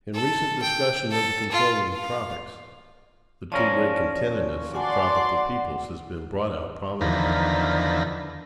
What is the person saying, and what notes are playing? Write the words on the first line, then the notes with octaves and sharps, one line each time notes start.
In recent discussion of the control of the tropics, the too great contentedness of tropical peoples has been brought out prominently.
A4
G5
A4
F4
F5
F3 C#4 A#4 C#5 D5
F#4 D5 F#5 G#5 A5 C6
F#5
E2 D3 D#3 F3 A#5 B5